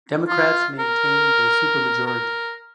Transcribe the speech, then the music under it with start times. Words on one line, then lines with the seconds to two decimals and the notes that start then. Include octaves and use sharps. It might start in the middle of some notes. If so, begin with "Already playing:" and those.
Democrats maintained their supermajority.
0.28 F4
0.79 A#4
2.06 A#4